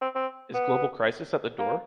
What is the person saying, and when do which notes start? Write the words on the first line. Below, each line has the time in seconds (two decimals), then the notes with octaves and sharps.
Is global crisis at the door?
0.01 C4
0.15 C4
0.54 B3
1.59 A#3